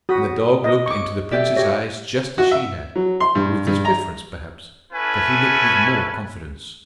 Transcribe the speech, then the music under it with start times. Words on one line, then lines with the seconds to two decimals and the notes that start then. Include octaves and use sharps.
And the dog looked into the prince's eyes just as she had,--with this difference, perhaps, that he looked with more confidence.
0.09 F#4 D#6 B6
0.64 D#5
0.86 C#6 D6
1.31 G4 D5 E5
1.56 G4 C#5 A#6
2.38 F#4
2.51 E5
2.96 F#3
3.20 C6
3.35 G2
3.67 G2
3.85 A#5
4.93 C#4 E4 A4 B4 G#5